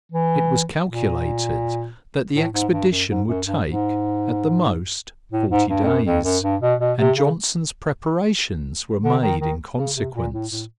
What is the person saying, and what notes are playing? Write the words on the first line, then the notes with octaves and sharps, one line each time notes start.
It was calculated that the expedition would take, at the most, forty days, and Johnson's preparations were made in consequence.
E3
A#2
A2
G#2
G2
F#2
G#2
F#2
G2
G#2
A2
G#2
G2
F2
F#2
F2
F#2
G2
B2
B2
C3
C#3
D3
D#3
D#3
C#3
C3
A#2
A2
A2